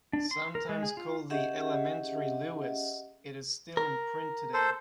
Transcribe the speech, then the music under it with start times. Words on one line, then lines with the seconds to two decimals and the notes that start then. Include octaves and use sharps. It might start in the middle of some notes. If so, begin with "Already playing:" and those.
Sometimes called the "Elementary Lewis," it is still in print today.
0.13 D4
0.31 C6
0.55 A#4
0.69 G#3
0.83 G#4
0.97 F4
1.30 C#4 G4 G#4 D#5 E5 F#5
3.77 A#4
4.54 A4 C5